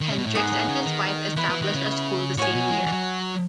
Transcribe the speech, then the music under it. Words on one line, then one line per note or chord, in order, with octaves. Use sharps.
Hendrix and his wife established a school the same year.
D#3
C#3
B2
A2
G#2 B3 D#4 G#4
A2
C#3
D#3
E3 B3 E4 B4
E3
D#3
C#3
A2 F#4 C#5 G#5
B2
G#3
F#3
E3
F#3